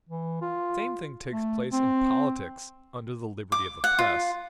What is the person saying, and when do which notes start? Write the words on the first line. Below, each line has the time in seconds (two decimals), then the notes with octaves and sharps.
The same thing takes place in politics under the liberty of the press.
0.09 E3
0.41 F4
1.32 A3
1.72 C4
3.52 D6
3.84 F#5
3.99 F4